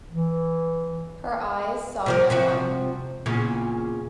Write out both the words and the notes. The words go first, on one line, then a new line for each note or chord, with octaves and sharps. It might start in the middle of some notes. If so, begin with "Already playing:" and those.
Her eyes saw no one.
E3
C3 F3 A#4
C3 F3 F#4
E2 A#2 C#3